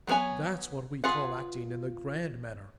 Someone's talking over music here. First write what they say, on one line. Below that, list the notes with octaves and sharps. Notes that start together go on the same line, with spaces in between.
That's what we call acting in the grand manner.
F#3 G#3 B3 C#5 G#5
F4 G#4 B4 F#5